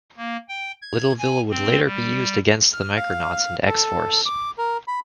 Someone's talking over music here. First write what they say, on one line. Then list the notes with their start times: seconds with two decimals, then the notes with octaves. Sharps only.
Liddleville would later be used against the Micronauts and X-Force.
0.17 A#3
0.49 G5
0.82 G#6
1.19 G#5
1.50 C4
1.85 G3
2.73 F6
2.96 F5
3.67 A4
4.26 D6
4.58 A#4
4.88 B5